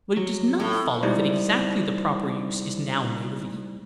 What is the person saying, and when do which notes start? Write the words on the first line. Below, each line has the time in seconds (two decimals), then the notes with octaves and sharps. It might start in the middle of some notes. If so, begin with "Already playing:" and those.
But it does not follow that exactly the proper use is now made of each.
0.17 F#3
0.60 A2
1.03 G3 G#3 D#4 E4 C5 D5